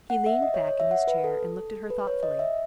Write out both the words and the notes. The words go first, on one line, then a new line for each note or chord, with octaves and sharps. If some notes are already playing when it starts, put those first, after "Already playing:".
He leaned back in his chair and looked at her thoughtfully.
F#5
E5
D#5
C#5
C#5
E5
F#5
B4
A4
B4
C#5
D#5
E5